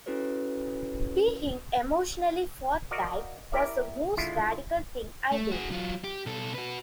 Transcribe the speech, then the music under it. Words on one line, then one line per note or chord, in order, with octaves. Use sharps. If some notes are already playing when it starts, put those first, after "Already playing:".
Being emotionally forthright was the most radical thing I did.
C#4 E4 F#4 A4 B4 C#5
F#4 A#4 D5 D#5 F5
E4 G4 A#4 D5 E5
D3 G#3 E4 F4
A3
F#4 G#4
F#3 F4
G4
B2 A4
F#4 B4